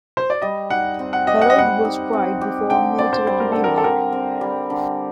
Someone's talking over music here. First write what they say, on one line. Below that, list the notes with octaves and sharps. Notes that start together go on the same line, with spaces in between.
Herold was tried before a military tribunal.
C5
D5
G3 D#5
D#4 F#5
C4
F#5
G4 D#5
F#5
D#5
G3 F#5
D#4
C4
G4
D3 G5
C4 D5
C5
G3 C5
A#4
D3 A4
A#4
A4
D3 A#4
C4
G3
D3